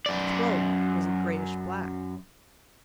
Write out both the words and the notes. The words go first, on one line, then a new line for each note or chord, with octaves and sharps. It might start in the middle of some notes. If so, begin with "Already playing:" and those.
Her throat was a grayish-black.
F#2 D5